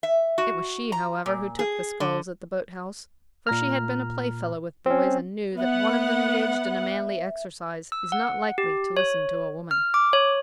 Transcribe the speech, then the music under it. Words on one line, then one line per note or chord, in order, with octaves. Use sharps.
It was she, however, who took the sculls at the boat-house, for she had been a playfellow with boys, and knew that one of them engaged in a manly exercise is not likely to listen to a woman.
E5
F#4
A#5
A#2
G#4
D3
A#2 A#5 F6
C4 C#4
B3 E5 F#5
E6
F#5
G4
C#5
F6
D6
C#5